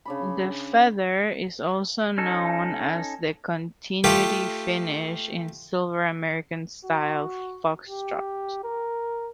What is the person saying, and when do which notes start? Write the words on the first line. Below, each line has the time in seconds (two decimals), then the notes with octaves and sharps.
The feather is also known as the continuity finish in silver American Style Foxtrot.
0.05 C#3 D4 B5
2.18 C#4 D#4 A4
4.04 A3 F4 G4
6.85 F#4
7.88 G4
8.64 A#4